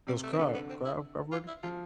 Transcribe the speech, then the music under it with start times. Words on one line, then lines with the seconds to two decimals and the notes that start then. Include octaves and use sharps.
It was Craw Craw Crawford?
0.07 C3 G3
0.23 A3
0.33 C4
0.38 D3 B3
0.54 B3
0.70 C4
0.85 E4
1.32 F4
1.47 E4
1.63 F3 F4